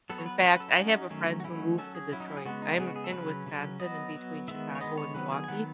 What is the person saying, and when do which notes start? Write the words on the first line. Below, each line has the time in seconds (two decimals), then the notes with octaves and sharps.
In fact, I have a friend who moved to Detroit. I'm in Wisconsin, in between Chicago and Milwaukee,
0.10 F#3 B3 A4
0.18 C#5
0.26 B4
0.39 B4
0.43 F#3 C#4 C#5
0.52 B4
0.60 A4
0.69 E4
0.77 F#3 C#4 D#4
1.10 D#3 F#3 A3 C#4
1.40 F#4
1.44 D#3 F#3 A3 C#4 E4
1.78 F#3 C#4 A4
1.95 G#4
2.12 F#3 C#4 E4
2.20 D#4
2.28 E4
2.37 G#4
2.45 C#3 G#3 B3 F#4
2.62 D#4
2.79 C#3 G#3 B3 G#4
2.88 F#4
2.96 G#4
3.04 A4
3.12 C#3 F#3 C#4 B4
3.46 C#3 F#3 C#4
3.80 F#3 B3 D#5
4.14 F#3 B3
4.48 D#3 G#3 B3 E5
4.75 C#5
4.80 D#3 G#3 B3 D#5
4.98 C#5
5.14 D#3 F#3 B3 B4
5.32 G#4
5.44 G#5
5.48 D#3 F#3 B3 F#5